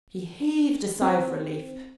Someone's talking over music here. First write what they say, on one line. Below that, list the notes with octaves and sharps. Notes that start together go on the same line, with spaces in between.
She heaved a sigh of relief.
C4